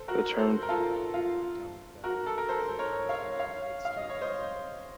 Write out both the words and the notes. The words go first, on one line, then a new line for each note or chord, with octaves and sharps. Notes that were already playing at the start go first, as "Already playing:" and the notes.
The term "dumbbell" or "dumb bell" originated in late Stuart England.
Already playing: A4 C5
F#4 A#4
A4 C5
A#4
F4 A4
F4
F#4 A#4
A4
A#4
A4 C5
A#4 C#5
C#5 F5
C#5 F5
F5
D#5
C#5
C5 D#5